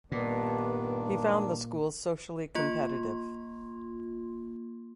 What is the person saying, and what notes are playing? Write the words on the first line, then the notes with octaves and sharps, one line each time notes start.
He found the school socially competitive.
G2 A#2 D#3 B3 D4
A#3 F4 C6